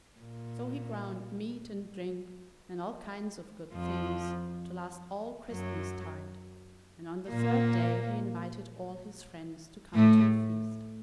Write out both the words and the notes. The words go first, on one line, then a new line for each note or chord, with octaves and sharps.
So he ground meat and drink, and all kinds of good things, to last all Christmas-tide, and on the third day he invited all his friends to come to a feast.
A#2
F2 F3
F#2 F#3
A#2 A#3
A2 A3